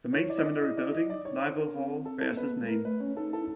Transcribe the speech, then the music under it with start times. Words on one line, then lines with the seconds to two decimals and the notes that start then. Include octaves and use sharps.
The main seminary building, Nyvall hall, bears his name.
0.13 E4 C#5
0.26 D#4
0.29 E4 D5
0.38 D#5
0.45 D5
0.62 D#5
0.77 D5
0.93 D#5
1.01 E4
1.10 D#4 D5
1.25 D#4 C#5
1.41 C5
1.58 D4 A#4
1.73 C4
2.05 A4
2.21 A4
2.31 A#3
2.37 B3 B4
2.53 A#3
2.61 G#3
2.68 A3 A#4
2.84 A3 B4
3.00 C#4 C#5
3.17 D#4 A4
3.33 E4 A4